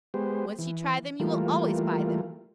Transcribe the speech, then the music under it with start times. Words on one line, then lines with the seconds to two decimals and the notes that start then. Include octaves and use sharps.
Once you try them, you will always buy them.
0.14 G#3 B3 G4 C5
0.59 E3
1.20 E3 G3 A3 A#3 F4